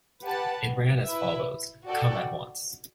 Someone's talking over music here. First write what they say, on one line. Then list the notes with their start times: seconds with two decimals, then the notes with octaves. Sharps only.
It ran as follows: Come at once.
0.23 G4 B4 F#5 A5
1.04 E4 B4 E5
1.85 F#4 A4 D5 G5